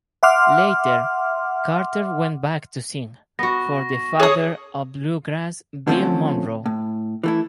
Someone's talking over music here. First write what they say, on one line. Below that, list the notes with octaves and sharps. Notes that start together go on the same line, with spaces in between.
Later, Carter went back to sing for the "Father of Bluegrass", Bill Monroe.
E5 F#5 C6 D6 F6
B3 F#4 C#6 A#6
G#4 C#5 D#6
D3 F3 A3 A#3 C4 C#4
A2
E3 A3 E4